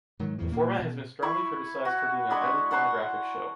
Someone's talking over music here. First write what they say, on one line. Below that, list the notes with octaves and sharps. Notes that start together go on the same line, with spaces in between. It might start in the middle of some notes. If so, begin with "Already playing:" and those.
The format has been strongly criticized for being a highly pornographic show.
G#2 D#3 F#3
E2 A2 C#3 F3
A#2 A#3
B2
E4 B5 C#6
F#4
G#3 D4 B5 C#6
F#5 A5 C6 C#6